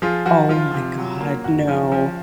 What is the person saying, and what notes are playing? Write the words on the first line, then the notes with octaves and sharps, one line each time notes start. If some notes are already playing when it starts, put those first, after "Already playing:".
Oh my God. No.
F3 F4 G#4
F3 F#4
F3 F4
C3
F#3
A#3
F#1 F#4
F3
F3